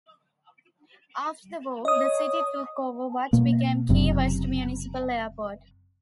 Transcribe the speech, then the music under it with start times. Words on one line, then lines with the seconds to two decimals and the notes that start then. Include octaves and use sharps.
After the war, the city took over what became Key West Municipal Airport.
1.85 C#5 D#5 D#6
3.33 B2 A#3
3.89 F#1 F#2 C3